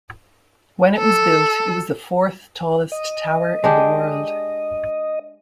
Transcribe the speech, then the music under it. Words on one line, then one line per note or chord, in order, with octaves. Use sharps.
When it was built, it was the fourth-tallest tower in the world.
A4
D#5
G#3 D4 G4